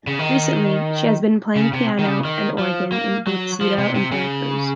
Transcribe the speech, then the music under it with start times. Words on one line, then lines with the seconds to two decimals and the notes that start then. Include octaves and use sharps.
Recently, she has been playing piano and organ in Luxedo and Vera Cruz.
0.07 C#3
0.19 D#3
1.56 C#3
1.73 C3
1.99 D#3
2.06 C#3
2.25 D#3
2.58 F3
2.92 A#3
3.27 F#3
3.61 F3
3.78 C3
3.95 C3
4.12 C#3